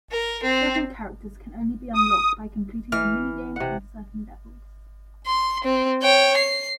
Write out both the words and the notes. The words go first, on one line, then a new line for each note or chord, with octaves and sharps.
Several characters can only be unlocked by completing the minigames on certain levels.
A#4
C4
D#6
E3 F6
C3 F#5
C6
C4
C#5 G5
C7